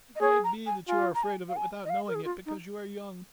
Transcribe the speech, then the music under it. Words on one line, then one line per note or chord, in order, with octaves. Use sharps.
It may be that you are afraid of it without knowing it, because you are young!
D#5
G#4 C#5
A#5
G#5
F4 G#5
A#5
G#5
F5
G#5
D#5
F5
A#4
G#4
F4
D#4